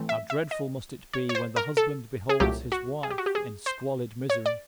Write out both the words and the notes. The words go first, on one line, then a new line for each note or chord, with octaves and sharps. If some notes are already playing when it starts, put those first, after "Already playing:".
How dreadful must it be when the husband beholds his wife in squalid misery.
Already playing: A2 E3 A3 C4
E5
E5
D#5
C#5
C#5
C5
A#4
A4
G#4
C2 A#2 F#3 A3 G4
F#4
G#4
G4
F#4
G4
G#4
C5
C#5
D5